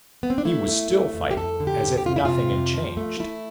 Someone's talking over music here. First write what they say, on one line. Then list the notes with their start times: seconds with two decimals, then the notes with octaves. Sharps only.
He was still fighting, as if nothing had changed.
0.23 B3
0.30 C4
0.38 D4
0.45 A3 E4
0.68 A3
0.91 A3
1.14 F2
1.31 G4
1.37 F2 A4
1.60 D3
1.67 G4
1.83 F2
1.97 G4
2.05 F2 F4
2.16 E4
2.25 C3 F4
2.51 F2
2.74 F3
2.97 A3
3.20 A3 E4